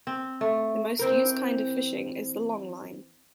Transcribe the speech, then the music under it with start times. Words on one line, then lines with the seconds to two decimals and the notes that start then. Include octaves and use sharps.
The most used kind of fishing is the longline.
0.07 C4
0.41 A3
0.99 E3 C4 A#4